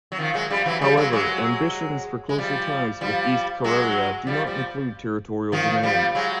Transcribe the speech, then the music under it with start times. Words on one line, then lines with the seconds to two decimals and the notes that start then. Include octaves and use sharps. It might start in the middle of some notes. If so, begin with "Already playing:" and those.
However, ambitions for closer ties with East Karelia do not include territorial demands.
0.12 F#3
0.18 D#3 F3
0.34 F#3 G#3
0.51 F3 G3
0.66 E3 F#3
0.82 F3 G3
0.97 F#3 G#3
1.13 F#3 G#3
2.29 G#3
2.38 F3 G3
3.01 F3 G3
3.64 F#3 G#3
4.27 F3 G3
4.47 F3 G3
5.52 D#3 F3
5.83 F3 G3
6.15 F#3 G#3